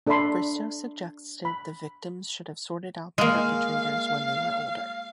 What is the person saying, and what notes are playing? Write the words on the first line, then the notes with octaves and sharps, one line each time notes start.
Bristow suggested the victims should have sorted out the perpetrators when they were older.
D4 A4 D5 E5 B5 C6
B5
G#3 A#3 F5